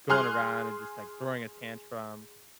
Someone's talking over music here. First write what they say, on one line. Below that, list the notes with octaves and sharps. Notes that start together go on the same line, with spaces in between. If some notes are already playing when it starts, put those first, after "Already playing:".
going around and just, like, throwing a tantrum,
G#4 C6 F6 F#6